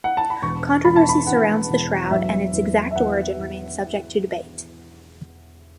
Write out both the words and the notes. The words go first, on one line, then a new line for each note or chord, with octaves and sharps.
Controversy surrounds the shroud and its exact origin remains subject to debate.
F#5
A5
B5
E1 C#6
E1 B5
A5
B5
E2 F#5
E1
F#3 E5
E2
E5
E2 F#5
E2